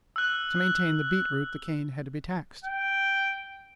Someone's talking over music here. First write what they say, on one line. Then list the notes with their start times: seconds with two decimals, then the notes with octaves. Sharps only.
To maintain the beet-root, the cane had to be taxed.
0.16 E6 F#6
2.64 G5